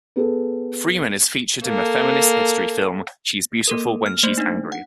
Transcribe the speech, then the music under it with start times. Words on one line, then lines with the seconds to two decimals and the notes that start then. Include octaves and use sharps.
Freeman is featured in the feminist history film "She's Beautiful When She's Angry".
0.16 B3 G#4 A4
1.64 A#3 A4
3.68 A#3 A4 A#4
4.06 F6
4.23 A3 A#3 C5
4.38 D4 D#4
4.72 F#5